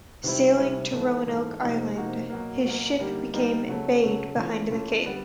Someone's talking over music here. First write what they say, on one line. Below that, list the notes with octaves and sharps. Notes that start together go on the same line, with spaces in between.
Sailing to Roanoke Island, his ship became embayed behind the cape.
C3 D#3 G3 C4 E4
C3 D#3 G3 C4 E4
G#2 E3 A3
G#2 E3 A3
C3 F3 A#3 D#4 F#4
C3 F3 A#3 D#4 F#4
B2 F#3 A#3
B2 F#3 A#3
D3 G3 A#3 D#4 G4
D3 G3 A#3 D#4 G4
C#3 F#3 A3 C#4
C#3 F#3 A3 C#4
E3 A3 C#4 F4
E3 A3 C#4 F4
D3 G3 B3